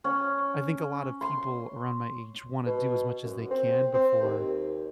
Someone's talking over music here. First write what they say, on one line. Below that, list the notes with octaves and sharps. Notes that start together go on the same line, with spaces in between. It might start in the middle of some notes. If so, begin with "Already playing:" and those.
I think a lot of people around my age wanna do as much as they can before
C#4
C6
B2
F#2
C4
C4
D#2